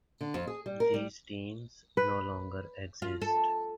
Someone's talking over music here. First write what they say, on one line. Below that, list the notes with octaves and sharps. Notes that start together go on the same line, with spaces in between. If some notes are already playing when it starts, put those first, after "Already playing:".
These teams no longer exist.
D3
F2
G#4
G3
A#4
G3
B4
F4
A4